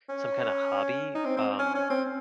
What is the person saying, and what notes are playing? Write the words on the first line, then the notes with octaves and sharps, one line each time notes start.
some kind of hobby, um,
C#4
D#4
C4
C4
C#4
C#4
C4